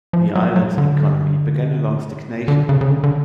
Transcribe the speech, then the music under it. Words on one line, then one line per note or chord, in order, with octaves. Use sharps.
The island's economy began a long stagnantion.
F3
F#3
F#3
D3
D3
C#3
C#3
D3
D3